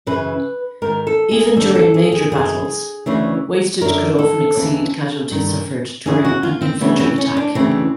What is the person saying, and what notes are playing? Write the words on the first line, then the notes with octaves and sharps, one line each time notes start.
Even during major battles, wastage could often exceed casualties suffered during an infantry attack.
F#2 C#3 E3 B4
G#2 D#3 A#4
A4
G#4
D#2 D3 A4
A4
G#4
G#4
F#2 D#3 G#4
D2 C#3 E3
F#2 D3 A#4
A4
D#2 C#3 E3
G2 D#3
F2 C#3 E3 G#4
F#4
F4
C4
D2 C#3 E3 B3
C4
C#4
D4
D2 C#3 E3 C4